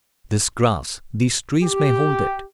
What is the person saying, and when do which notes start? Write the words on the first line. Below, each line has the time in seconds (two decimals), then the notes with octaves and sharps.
This grass, these trees, may hold it.
1.62 G4